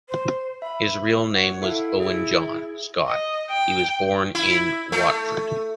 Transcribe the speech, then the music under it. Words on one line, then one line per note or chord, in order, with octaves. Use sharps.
His real name was Owen john Scott, he was born in Watford.
C5
E5 B5
C#5 F#5
E4 A4 E5 F5
E4 G#4
D#5
G5
E4
A3